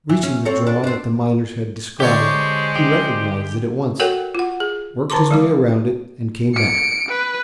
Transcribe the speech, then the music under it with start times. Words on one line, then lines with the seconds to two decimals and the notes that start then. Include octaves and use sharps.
Reaching the draw that the miners had described, he recognized it at once, worked his way around it and came back.
0.10 E3
0.23 C#4
0.45 C4 A4 C#5
0.67 D4
0.84 C4 D4
2.00 D3 G#3 D4 G4 C5 C#5
2.76 G4
4.00 F#4 A4 A#4 C#5 F#5 G5
4.35 F4 F#5
4.60 G#4
5.10 D3 D#3 A5 A#5 C6 D6
5.31 F3 G#3 D6
6.54 C#7 D7
7.09 B4